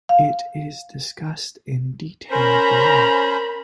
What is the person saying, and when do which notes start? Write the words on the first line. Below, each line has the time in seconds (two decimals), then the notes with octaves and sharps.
It is discussed in detail below.
0.09 F5
2.31 C#4 A#4 C5 A#5 B5